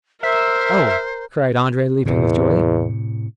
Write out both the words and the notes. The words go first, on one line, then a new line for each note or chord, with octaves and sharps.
"Oh," cried Andrea, leaping with joy.
A#4 C5 E5
E2 A2 C3